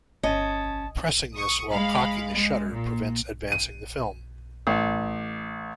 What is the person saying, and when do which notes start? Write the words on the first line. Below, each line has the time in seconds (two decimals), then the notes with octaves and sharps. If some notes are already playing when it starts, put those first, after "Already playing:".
Pressing this while cocking the shutter prevents advancing the film.
0.23 G1 C#4 D#5 A5
1.35 C#6 D#6
1.71 G#3 F5 B5
2.34 G#3
2.70 A#2
3.52 D#7
4.67 A1